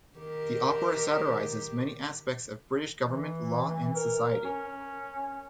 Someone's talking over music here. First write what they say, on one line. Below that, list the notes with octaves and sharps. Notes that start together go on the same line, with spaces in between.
The opera satirises many aspects of British government, law and society.
D#3 G4 A#4
E3
A#4
C#4